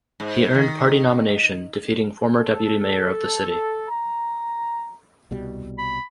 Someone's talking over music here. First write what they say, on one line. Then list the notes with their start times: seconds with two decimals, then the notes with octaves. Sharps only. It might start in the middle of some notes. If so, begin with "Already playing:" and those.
He earned party nomination defeating former deputy mayor of the city.
0.20 G#2
0.55 D#3
2.38 A4
3.90 A#5
5.31 C2 B2 G3
5.78 B5